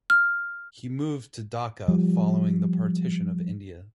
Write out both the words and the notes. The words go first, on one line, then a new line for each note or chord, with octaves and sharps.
He moved to Dhaka following the partition of India.
F6
F3 G3